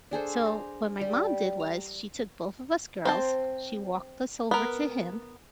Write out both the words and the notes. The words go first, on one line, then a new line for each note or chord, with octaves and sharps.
So what my mom did was she took both of us girls, she walked us over to him,
D4 G#4 A4 C5
A#5
G3
A#5
C4 C5 A5
B3 A#4